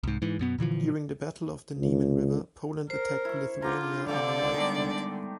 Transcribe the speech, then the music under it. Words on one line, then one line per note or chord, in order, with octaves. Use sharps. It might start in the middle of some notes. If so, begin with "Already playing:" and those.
During the Battle of the Niemen River, Poland attacked Lithuania on a wide front.
C2 G#2
G#2 E3
F#2 B2 B3
A#2 D3 E3 F3
C#2
A#4 C5
E4 C#6
D3 F4 G4 A#5
D3 A3 C4 G4 D5 F5 D6
D#3 G3 G#3 B3 D4